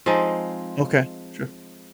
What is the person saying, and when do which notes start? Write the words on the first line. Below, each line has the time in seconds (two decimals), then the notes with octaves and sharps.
Okay, sure.
0.06 F3 G#3 C4 D#4